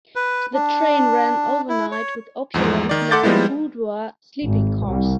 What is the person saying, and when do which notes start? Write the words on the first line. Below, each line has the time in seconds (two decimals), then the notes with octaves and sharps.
The train ran overnight with opulent Mann Boudoir sleeping cars.
0.16 B4
0.54 D4
1.69 E4
1.91 C#5
2.54 E2 G#2 F3 G#3
2.89 D#3 D5
3.11 A4 F#5 C6 D6 G6 A6
3.23 F3 G3 G#3 B3 E4
4.45 G#1
4.87 C2